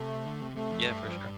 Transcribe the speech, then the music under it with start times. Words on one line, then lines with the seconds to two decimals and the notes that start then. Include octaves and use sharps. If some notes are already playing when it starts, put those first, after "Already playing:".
Yeah, for sure.
Already playing: C3 A3
0.26 D3
0.42 C3
0.56 C3 A3
0.71 F2
0.87 G2
1.06 F3
1.16 G3